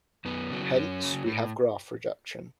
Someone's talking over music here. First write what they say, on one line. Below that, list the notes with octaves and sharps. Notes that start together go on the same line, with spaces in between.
Hence we have graph reduction.
F#2 B3
C#3 F#3
F#2 C#4
C#3 F#3
A2